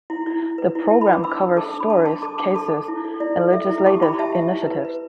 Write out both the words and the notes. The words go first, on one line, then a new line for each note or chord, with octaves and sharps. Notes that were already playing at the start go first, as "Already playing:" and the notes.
The program covers stories, cases, and legislative initiatives.
E4
E4
E4
B4
E4
E4 A5
B5
B4
D6
D4 B5 E6
D4
A4 A5 D6
D4
B5
D4 A5 D6
D4 A5 D6
A4 A5 D6
D4 A5 D6
A4 A5 D6
A4
E4
A4
E4 D5
A4
A4 E5
E4
G4 A5 D6
E4 G5 B5
G4 E5 A5
G4 E5
E4
B4
B4